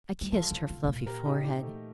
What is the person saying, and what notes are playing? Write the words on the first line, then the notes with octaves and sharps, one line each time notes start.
I kissed her fluffy forehead.
G3
F3 F4 A4
F3
D3
C3
A#2
G4 A#4
D#4 G4
D#4 G4
A3